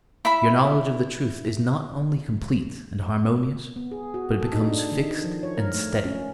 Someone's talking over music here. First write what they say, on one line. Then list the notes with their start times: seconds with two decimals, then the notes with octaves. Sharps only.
Your knowledge of the truth is not only complete and harmonious, but it becomes fixed and steady.
0.25 E4 E5 B5
3.76 B3
3.91 G#4
4.14 F#4
4.40 A4
4.53 D#4
4.67 D4
4.92 D#3
5.24 F3
5.43 C#5
5.57 A#4
5.74 A3
6.05 C#4